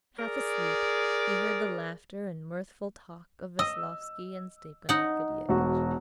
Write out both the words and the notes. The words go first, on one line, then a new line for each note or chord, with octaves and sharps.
Half asleep, he heard the laughter and mirthful talk of Veslovsky and Stepan Arkadyevitch.
G#4 A#4 D5
D#5 E6
D#4 F#5
E1 F#4